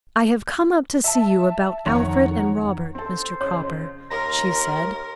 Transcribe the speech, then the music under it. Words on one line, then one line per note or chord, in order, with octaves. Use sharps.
"I have come up to see you about Alfred and Robert, Mr. Cropper," she said.
E5 A5
F2 D#3 C#5 F#5 A#5
C4 A4 C5
F2 C#3 C#5
D#2 A#4 A#5 C6